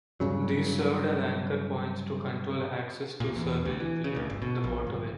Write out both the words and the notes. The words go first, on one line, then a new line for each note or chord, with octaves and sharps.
These served as anchor points to control access to Seville via the waterway.
G2 C#3 F#3
A#2
E2
D2
E3
C#3
D2
G1
B2
A#1
G1